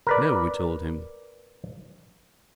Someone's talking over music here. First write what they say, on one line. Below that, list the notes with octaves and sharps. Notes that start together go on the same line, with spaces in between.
"No," we told him.
A#4 B4 D5